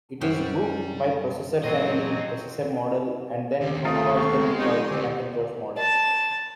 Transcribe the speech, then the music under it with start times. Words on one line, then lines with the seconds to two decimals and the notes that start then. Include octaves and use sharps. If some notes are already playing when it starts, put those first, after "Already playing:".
It is grouped by processor family, processor model, and then chronologically by Macintosh model.
0.21 F#2 G3 G4 C5 G5
1.64 A#2 E3 F#3 C4 D#5
3.61 D#2 D3 G4
3.85 A3 F4 A#4 D#6
4.15 B3 C4 F5 C#6
4.39 G#3
4.59 F3 A3 D#4 G4
4.91 D2 E3 C4
5.78 A5